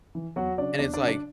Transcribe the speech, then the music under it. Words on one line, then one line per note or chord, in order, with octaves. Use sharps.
And it's like,
E3
E2 F#3 F#4
C#3 F#3 D4 D5
E2 D4 D5
D4 D5
C#3 F#3
D4 D5